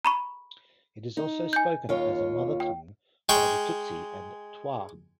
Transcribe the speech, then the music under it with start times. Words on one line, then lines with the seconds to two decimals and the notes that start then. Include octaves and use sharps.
It is also spoken as a mother tongue by the Tutsi and Twa.
0.05 A#5 B5 C#6
1.17 D#4
1.53 G#5 G6
1.89 D#2 F4 C#5
2.60 G5
3.29 G#3 G5 C#6